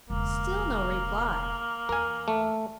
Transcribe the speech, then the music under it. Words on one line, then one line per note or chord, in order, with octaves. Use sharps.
Still no reply.
E1 C#3 A#3
E2 A#4 G#5
A3